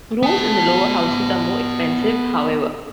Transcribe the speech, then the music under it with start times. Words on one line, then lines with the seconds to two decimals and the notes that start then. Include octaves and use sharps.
Rooms in the Lower Houses are more expensive, however.
0.23 B3 A5